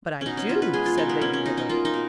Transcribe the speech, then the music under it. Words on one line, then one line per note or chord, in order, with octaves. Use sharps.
"But I do," said Lady Hibbert.
B2 C#4 D#4
C#4
B3 F4
B4
G#3 G#4
F4
B2 D#4
B3
A#3 C#4
C#4
B2 D#4
D#4
A#3 F4
D#4
B2